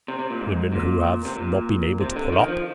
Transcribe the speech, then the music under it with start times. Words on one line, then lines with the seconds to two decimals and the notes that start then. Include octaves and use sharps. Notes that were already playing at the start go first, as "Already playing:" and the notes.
"The women who have--not been able to pull up?"
0.08 C3
0.19 C3
0.30 A#2
0.41 G#2
0.72 A#2
1.25 C3
1.36 A#2
2.01 C3
2.16 D3
2.32 D#3
2.48 F3